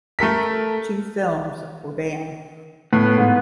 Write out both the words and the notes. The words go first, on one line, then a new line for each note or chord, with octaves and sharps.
Two films were banned.
A3 A4 A#4 B6
A2 B3
G#2